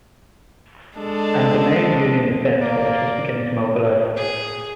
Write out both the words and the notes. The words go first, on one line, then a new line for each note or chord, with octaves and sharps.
And the main Union defense force was beginning to mobilize.
G#3 D4 A4
A#3 D5
G#4